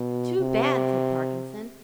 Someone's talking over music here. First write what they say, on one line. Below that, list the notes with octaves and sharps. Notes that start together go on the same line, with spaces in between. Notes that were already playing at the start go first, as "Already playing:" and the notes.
"Too bad!" said Parkinson.
Already playing: B2
C3